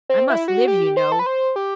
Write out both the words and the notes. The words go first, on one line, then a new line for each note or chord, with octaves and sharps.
I must live, you know!
C4
E4
F#4
G4
C5
A4
B4
C5
G4